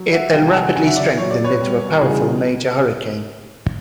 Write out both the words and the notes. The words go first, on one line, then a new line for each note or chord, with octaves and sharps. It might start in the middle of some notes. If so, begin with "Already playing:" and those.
It then rapidly strengthened into a powerful major hurricane.
Already playing: F#3
E5 F#5
C3 D#3 G3 F5 G5
A5
F#5 G#5
C#3 F#3 F#5 G#5
E5 F#5
D5 E5
A#2 F#3 C#5
D5
B4 C#5
B2 G3
C#3 E3 G3 F#4 G#4